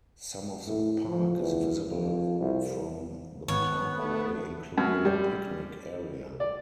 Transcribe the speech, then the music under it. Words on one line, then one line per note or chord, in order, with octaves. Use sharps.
Some of the park is visible from the Parkway, including a picnic area.
A2
F3
E2
F2
C2
G#1 B3 C#5
A3
F#2
G3
D5